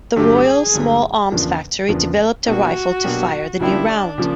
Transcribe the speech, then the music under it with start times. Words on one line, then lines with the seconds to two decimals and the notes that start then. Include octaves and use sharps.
The Royal Small Arms Factory developed a rifle to fire the new round.
0.16 G2 D3 F#3 A3 G4
0.45 G#4
0.74 G2 D3 F#3 A3
1.32 E2 C#3 F3 A#3 D4
1.88 E2 C#3 F3 A#3 D4
2.46 B2 F#3 A#3 D4 F#4 G4
3.04 B2 F#3 A#3 D4 G4
3.60 C#3 F3 A#3 D4 E4 G4
3.89 D4
4.18 C#3 F3 A#3